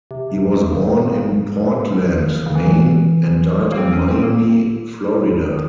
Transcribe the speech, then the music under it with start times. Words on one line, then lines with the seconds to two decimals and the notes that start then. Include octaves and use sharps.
He was born in Portland, Maine and died in Miami, Florida.
0.11 C3
0.30 C3
0.72 C#3
2.46 C#3
2.55 E3
3.72 A#3
3.78 C4
3.93 C#4
4.08 C4
4.23 A#3